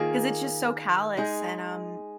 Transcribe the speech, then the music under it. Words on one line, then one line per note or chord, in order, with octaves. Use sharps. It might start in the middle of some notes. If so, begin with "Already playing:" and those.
'cause it's just so callous and, um,
Already playing: D#3 A#3 F4 G#4
G#3 D#4 G#4